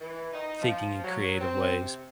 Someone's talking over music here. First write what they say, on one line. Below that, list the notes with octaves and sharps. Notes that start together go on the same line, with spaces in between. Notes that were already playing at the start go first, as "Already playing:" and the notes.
thinking in creative ways.
E3
D#4
F3
F#3
C4
C3